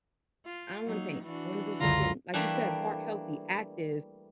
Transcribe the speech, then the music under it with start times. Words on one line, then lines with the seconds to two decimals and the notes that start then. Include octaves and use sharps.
I don't wanna paint. I wanna do something," like you said, heart healthy, active
0.45 F4
0.86 F#3 A#3 D#4
1.23 E3 D4 F#4
1.80 C#2 F#2 D3 F4 A#5
2.34 E3 G3 A3 A#3 D4